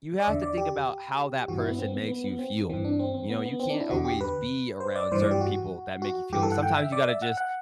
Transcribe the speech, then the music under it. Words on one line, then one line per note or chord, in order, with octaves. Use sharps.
you have to think about how that person makes you feel, you know, you can't always be around certain people that make you feel Sometimes you gotta just,
D5
E2 D3 E5
D5
G4
G2 E3 F#4
E4
B3
C4
B3
B3
B3
C4
G2 E3 C4
D4
C4
C4
B3
B3
C4
D4
E4
E2 D3 F#4
G4
B4
C5
D5
G2 E3 C5
D5
G4
F#4
F#4
G2 E3 G4
A4
F#5
G5
E5
D5
E5
F#5
F#5